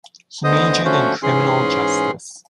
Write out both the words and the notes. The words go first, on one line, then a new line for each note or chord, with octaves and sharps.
He majored in criminal justice.
D2 D3 B3 C5 D#5 D#6
D3 F3 A3 C#4 F#4 C5
G#2 E3 C#4 G#4 C6